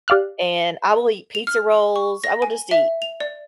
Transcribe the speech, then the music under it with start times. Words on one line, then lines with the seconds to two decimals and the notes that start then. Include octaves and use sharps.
and I will eat pizza rolls, I will just eat,
0.08 G4 D5 F5 F6 F#6
1.35 F7
1.47 F6
1.96 C#6
2.24 A#6
2.42 G#5
2.71 E5
3.02 F7
3.20 D5